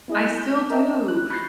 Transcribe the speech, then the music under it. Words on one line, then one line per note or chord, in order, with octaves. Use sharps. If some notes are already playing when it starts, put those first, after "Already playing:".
I still do.
B3 E4 G#4 D#5
G6 B6
A#4 D#5 E5 G5 A5
F#6
B5 C#6 G6 A6 A#6 C7